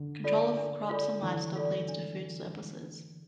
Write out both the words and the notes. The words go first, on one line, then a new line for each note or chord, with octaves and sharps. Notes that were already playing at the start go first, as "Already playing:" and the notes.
Control of crops and livestock leads to food surpluses.
Already playing: D3
F4 A4 D5
D4
F4 A4 D5
D3 E3 D4
F4 A4 D5
D4